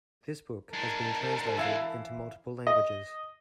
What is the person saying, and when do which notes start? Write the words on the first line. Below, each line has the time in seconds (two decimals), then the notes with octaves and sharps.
This book has been translated into multiple languages.
0.73 G#3 D4 A#4 A5
1.57 E3 E4 F5
2.67 D#5